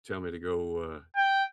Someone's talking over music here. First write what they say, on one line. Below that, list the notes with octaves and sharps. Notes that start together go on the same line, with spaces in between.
tell me to go, uh,
G5